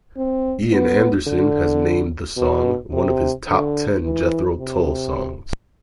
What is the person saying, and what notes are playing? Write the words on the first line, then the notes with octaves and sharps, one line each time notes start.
Ian Anderson has named the song one of his top ten Jethro Tull songs.
C4
B3
D3
B2
C3
D3
E3
C3